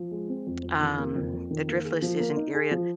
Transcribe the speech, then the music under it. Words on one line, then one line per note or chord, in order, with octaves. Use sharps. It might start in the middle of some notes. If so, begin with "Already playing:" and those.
um, the Driftless is an area
Already playing: F3
G#3
C4
F2
F2
D#3
A#3
F2
F2
D#3
A#3
G#4
F3
A#3
D#4
G#4
F3